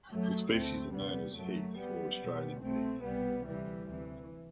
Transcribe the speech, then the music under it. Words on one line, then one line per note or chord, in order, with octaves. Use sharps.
The species are known as heaths or Australian heaths.
F#2 F#3 A3
D2 C3 A3 C4
E2 C3 G3 B3
F#2 F#3 A3
F#2 G3 B3
E2 B2
C2 B2 A3 C4
C2 B2 G3 B3
D2 C3 E3 G3
D2 C3 E3